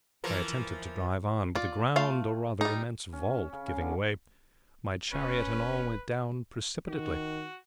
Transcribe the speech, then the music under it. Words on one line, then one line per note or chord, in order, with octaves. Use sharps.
I attempted to drive on, but the ground, or rather immense vault, giving way, my chariot and all went down precipitately.
E3 F3 A#4
F4 D5
A3 F4 F5
G3 D#4
C#4
C#4
C#3
F5
D3
D#1 C#4 B4
D#3 F#4